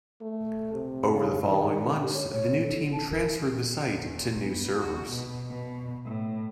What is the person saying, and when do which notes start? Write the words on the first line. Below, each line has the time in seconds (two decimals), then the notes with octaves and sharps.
Over the following months, the new team transferred the site to new servers.
0.22 A3
0.73 C3
1.13 C#3
1.47 D#3
2.01 G4
2.14 C#5
2.31 C#5
2.62 A4
2.92 A5
3.10 A#4
4.03 E2
4.44 B3
4.77 F#4
5.11 B2
5.51 B2
6.05 A2